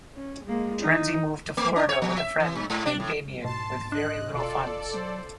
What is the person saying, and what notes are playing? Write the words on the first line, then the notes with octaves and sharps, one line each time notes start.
Terenzi moved to Florida with a friend named Damion with very little funds.
C#4
G#3 A#3
D#4
A3
D4
C#5
F3
E5
E3
G2
G#2
D4
A2
G#2 B2 A5 C6
D4 D#5 F#6
E1 B2 F4 A4 D5
F#3 C5